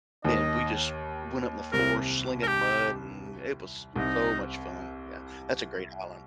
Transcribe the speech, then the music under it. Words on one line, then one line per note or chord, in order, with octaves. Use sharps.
and we just went up in the forest, slinging mud, and it was s so much fun. Yeah, that's a great island.
D#2 D#3 D#5
C2 C3 A#4
A#4
G4
C2 C3 D#4